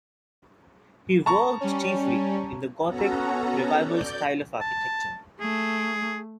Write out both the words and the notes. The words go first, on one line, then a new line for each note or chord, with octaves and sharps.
He worked chiefly in the Gothic revival style of architecture.
A5 A#5 C#6
G3 C#4
B3 C#4 F#4 A4 A#5
D5 G6
A5
A3 G#4